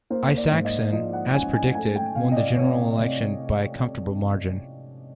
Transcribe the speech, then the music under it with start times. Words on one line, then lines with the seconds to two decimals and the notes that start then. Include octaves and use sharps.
Isakson, as predicted, won the general election by a comfortable margin.
0.10 A#3 C5
0.37 D5
0.51 G#2
0.65 D#5
0.92 F3 D#5
1.13 F#5
1.34 C#4 G#5
1.53 G#5
1.75 A3 G#5
1.96 G5
2.15 C3 F5
2.32 D#5
2.36 D5
2.56 C3 C#5
2.98 C3